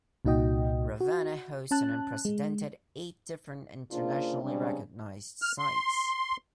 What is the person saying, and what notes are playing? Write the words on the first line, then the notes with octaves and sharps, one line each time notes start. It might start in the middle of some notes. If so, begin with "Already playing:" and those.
Ravenna hosts an unprecedented eight different internationally recognized sites.
C2 A#2 D#4 F#4 D#5 G5
F#4
C#4 A5 F#6
G#3
C#3 A#3 D4 F4 G#4 C5
C#3 G3 G#3 C4 D4
F6
C6